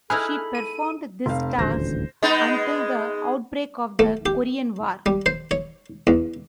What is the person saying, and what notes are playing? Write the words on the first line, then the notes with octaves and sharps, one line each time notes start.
She performed this task until the outbreak of the Korean War.
D#4 E4 G#4 A4 G#5 B5 F6 F#6
D#7
F1 F5
D#1 A1 D2 C5 A#6
G#3 B3 D#4
A3
G4
G3
C5
C#5
E2